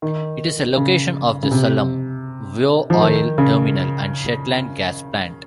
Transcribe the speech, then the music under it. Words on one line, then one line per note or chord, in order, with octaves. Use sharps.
It is a location of the Sullom Voe oil terminal and Shetland Gas Plant.
D#3
C#3
C#3
C3
F3
D#3
C#3